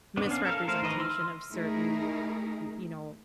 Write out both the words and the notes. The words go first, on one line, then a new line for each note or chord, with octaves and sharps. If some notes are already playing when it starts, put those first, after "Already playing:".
misrepresentation of certain, you know,
B3 D4
C#4 D4 F5
A4 A#4 F5
A3 A#4 C5 F5
D#3 E3 B4 D#5 A#5
C6 E6 F6
A3 D#4 E4 G#4 A#4